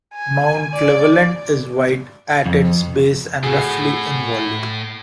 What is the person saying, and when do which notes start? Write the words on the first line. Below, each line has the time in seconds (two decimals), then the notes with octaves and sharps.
Mount Cleveland is wide at its base and roughly in volume.
0.14 G#5
0.74 D5
2.46 F2
3.43 A2 F#4 G#4